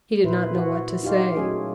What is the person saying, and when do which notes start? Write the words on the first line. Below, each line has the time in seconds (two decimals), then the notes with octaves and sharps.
He did not know what to say.
0.24 A#2 E4 B4 C5
0.54 E4 F#4
1.03 D#4 F4 G4 F5
1.36 F#3 A3 C#4 G#4